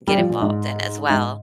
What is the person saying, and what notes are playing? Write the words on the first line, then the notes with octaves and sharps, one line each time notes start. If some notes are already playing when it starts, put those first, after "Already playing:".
get involved in as well.
G3
F3
A#2
G#2
G#2